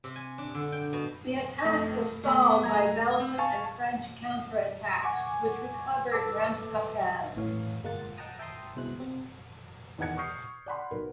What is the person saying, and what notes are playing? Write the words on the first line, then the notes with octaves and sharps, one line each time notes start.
The attack was stalled by Belgian and French counter-attacks which recovered Ramskapelle.
C3
G#5
D4
D3
G5
B2
F2 A3
A3 B3 B5
A3 A#5 G#6
C4
F5 G#5 A5 C#6
F#5 G#5 C#6 D6 G#6
A4 B4 A5 D6 E6
A1 A2 E3 C#5 F5
G1 G#3 A#3 F4 F#5 A6
D#5 F#5 G5 A5 A#5 D#6
E5 G5 A5 A#5 C6 D#6
C2 B2 G#3 E4 C5 F#6
C3 C4
E2 D#3 D#5 F#5 G#6 C#7
C#6 D#6 F6 G6 C7 C#7
D5 F#5 B5 C6
B1 A#4 B4